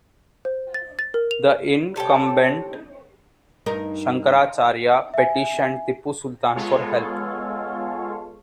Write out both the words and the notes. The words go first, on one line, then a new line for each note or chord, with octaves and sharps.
The incumbent "Shankaracharya" petitioned Tipu Sultan for help.
C5
A6
A6
A#4
F7
C3 A4 C#5 G5
G2 D#4 A#4
E5 G#5
G#3 B3 F4 A4 C#5 F5